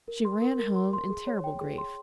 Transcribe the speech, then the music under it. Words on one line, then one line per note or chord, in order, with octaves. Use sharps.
She ran home in terrible grief.
A#4
C6
A#4
A#4
C6
C6
G#4
C#5
G5
G#4
C6